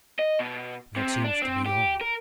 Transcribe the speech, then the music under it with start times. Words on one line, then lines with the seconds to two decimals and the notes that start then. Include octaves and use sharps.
That seems to be all.
0.19 D#5
0.40 B2
0.97 C3
1.24 D4
1.42 C4
1.66 G4
2.01 A#4